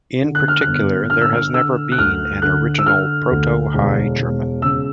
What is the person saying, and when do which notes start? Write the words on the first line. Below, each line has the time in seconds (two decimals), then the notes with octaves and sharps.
In particular, there has never been an original "Proto-High German".
0.22 D3
0.35 F#6
0.48 F6
0.61 F#6
0.66 G1
1.10 D3 F6
1.21 E6
1.33 F6
1.54 D3 E6
1.92 F#6
1.98 D2 F6
2.42 D3 F#6
2.78 E6
2.86 D3 F6
3.30 D2
3.74 E1
4.19 E1
4.62 C#3 E6